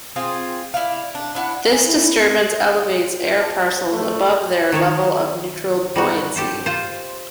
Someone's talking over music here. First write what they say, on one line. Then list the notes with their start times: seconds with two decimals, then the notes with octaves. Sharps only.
This disturbance elevates air parcels above their level of neutral buoyancy.
0.16 C4 F4 G#4
0.74 E4 D5 F5
1.15 D4
1.35 D4 E4 F#5
1.71 G#5
1.86 E4
2.19 C4
2.37 G4
2.50 E5
2.70 G#4
2.97 F4
3.19 F4
3.40 A5
3.92 A3
4.72 D#3 A4 C#5
5.96 G3 D#4 F#4
6.36 G4 A4 C5
6.66 F4 C5